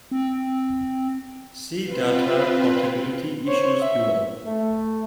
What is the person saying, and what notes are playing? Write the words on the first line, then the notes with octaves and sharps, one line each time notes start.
See Data portability issues below.
C4
C4 F4 B4
C5 C#5
E5
A3